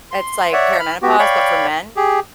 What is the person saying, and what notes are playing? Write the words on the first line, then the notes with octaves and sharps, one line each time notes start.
it's like perimenopause, but for men.
C6
C#5 D5 E5 F#5
B5 F6
B3 F#4 G4
C#5 D5 F5 G5 B5 C#6
G4 G#4